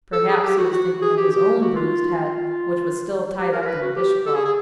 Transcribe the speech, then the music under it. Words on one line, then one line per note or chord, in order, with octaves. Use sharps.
Perhaps he was thinking of his own bruised head, which was still tied up in a dishcloth.
A4
G#4
G4
F#4
F#4
G#4
G4
G4
F#4
F4
F4
G4
A#4
A#4
B4
F#4
G4
A4
G#4
G#4